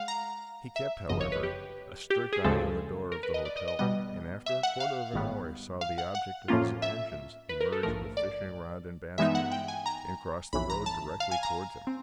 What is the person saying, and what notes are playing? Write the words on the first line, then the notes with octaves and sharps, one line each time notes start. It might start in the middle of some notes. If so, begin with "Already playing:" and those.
He kept, however, a strict eye on the door of the hotel, and after a quarter of an hour saw the object of his attentions emerge with fishing-rod and basket, and cross the road directly towards him.
Already playing: G#3 F5 F#5
A#5
E5
G1 F#2 C#3 F3 D#5
C#5
B4
G4
G4
G#4
D2 C#3 F3 G#3 C4 A4
A#4
B4
D#5
D5
D#5
D#5
B2 G3 B3 D#5
E5
F#5
F5
G#1 G#2 D#3 G3 B3
F5
F#5
F#5
A2 F3 A#3 C#4 F4
E5
B4
A#4
A4
A#1 G#2 F3 A3 A#4
D5
G2 E3 G#3 B3 D#4 E5
F#5
G5
G#5
A#5
B1 A2 E3 B5
A#5
A5
F5
G#5
A#5
C4